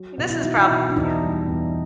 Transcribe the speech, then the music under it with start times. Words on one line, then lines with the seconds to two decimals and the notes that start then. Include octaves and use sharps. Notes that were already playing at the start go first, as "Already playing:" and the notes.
this is probably, you know"
Already playing: F#3
0.18 B2
0.30 E4
0.44 F#3 D#4
0.57 E4
0.70 B2
0.90 D4
0.96 E2 D#4
1.22 G3
1.47 E2